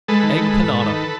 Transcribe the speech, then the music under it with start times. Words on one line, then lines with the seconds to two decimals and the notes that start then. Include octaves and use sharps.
Egg Panada.
0.08 G#3 A4 B4
0.23 D#3
0.38 G#3
0.53 G#2
0.68 G#2
0.83 D#3